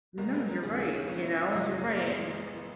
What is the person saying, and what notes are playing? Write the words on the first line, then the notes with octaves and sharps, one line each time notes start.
No, you're right, you know? You're right, and
C#2 B2 G#3 C#4 A#4
B4
A#4
D#2 C#3 E3 A#3 C#4 G#4
G#4
C#5
C#2 B2 A#3 C#4 C#5
E5
E5
F#2 C#3 F#3 C#4 D#5
A#1 A#2 G#3 B3